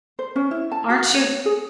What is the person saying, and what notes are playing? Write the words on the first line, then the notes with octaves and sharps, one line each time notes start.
Aren't you
C5
C#4
E4
A5
F#4
C#5
G#4